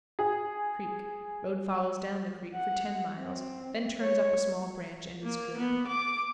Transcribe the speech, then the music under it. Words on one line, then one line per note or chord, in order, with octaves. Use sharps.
Creek.--Road follows down the creek for ten miles, then turns up a small branch, and is good.
G#4
F#5
C4
C#5
A#3
B3
D6